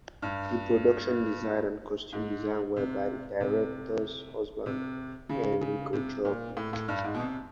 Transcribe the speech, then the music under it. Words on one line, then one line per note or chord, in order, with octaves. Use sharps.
The production design and costume design were by the director's husband, Enrico Job.
G2
G#2
C3
C3
C3
C#3
C#3
C3
A#2
A2
A2
G2
G#2
B2
C3